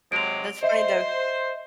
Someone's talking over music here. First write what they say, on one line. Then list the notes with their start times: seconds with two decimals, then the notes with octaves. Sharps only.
That's funny, though.
0.12 C3 F#3 G#3 D7 F7
0.63 C5 D#5 E5